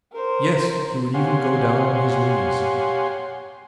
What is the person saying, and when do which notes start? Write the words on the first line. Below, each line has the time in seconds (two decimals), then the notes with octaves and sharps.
"Yes, he would even go down on his knees."
0.12 A#4 C5
1.14 G4 C#5 F5 F#5 G#5 C6